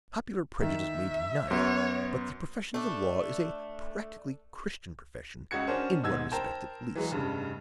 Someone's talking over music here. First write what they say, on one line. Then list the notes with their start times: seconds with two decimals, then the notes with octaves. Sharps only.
Popular prejudice may deny it, but the profession of the law is a practically Christian profession in one respect at least.
0.62 D#3 E5
1.51 F#2 B3 C#5
2.74 A3 D4
5.51 C#2 C#3 F#4 G#6 C#7
5.67 C#4 D4 F#4 A#4 C5
6.03 G#2 B2 E6 G#6
6.32 A#4 C5 G5 A5 A#5
6.95 E3 F#3 G#3
7.11 F1 G2 C#3